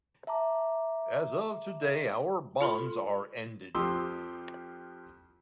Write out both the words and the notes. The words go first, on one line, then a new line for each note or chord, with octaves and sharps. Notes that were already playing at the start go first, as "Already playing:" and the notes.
As of today our bonds are ended.
E5 A5 A#5 D6
F4 A4 B5 C6
F2 F3 G4 C6 D#6 E6